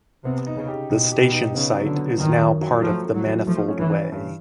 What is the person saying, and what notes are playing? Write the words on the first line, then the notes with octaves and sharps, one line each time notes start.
The station site is now part of the Manifold Way.
C3 B3
D#4
C#3
G4
B2 D#4
G4
B2
D#4
C#3 B3
F#3
D3
B3
F#2 D#3
F#2
F#3
F3 A3
A3
F#3
E3
F3 A3
C#4
E3
C#4
G2